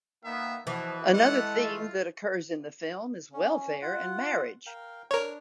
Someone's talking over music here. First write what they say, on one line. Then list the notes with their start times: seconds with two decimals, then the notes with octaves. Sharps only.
Another theme that occurs in the film is welfare and marriage.
0.24 D#3 A#3 B3 E5
0.67 B2 E3 F3 B4
1.13 G#3 A3 F#5
1.60 F4
3.33 C#4
3.82 F4 F#5
4.67 A#4 F5 G5
5.11 D4 A#4 C#5